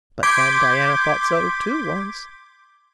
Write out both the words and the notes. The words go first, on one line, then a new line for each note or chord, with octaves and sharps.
But then Diana thought so too, once.
C6 D6 G6 G#6 B6 D7